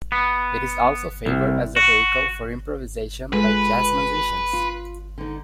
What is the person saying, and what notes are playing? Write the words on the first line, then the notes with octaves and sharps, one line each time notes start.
It is also favored as a vehicle for improvisation by jazz musicians.
B3
C2
F#4
G#3 F4 A4 B4
F4
D3 D#4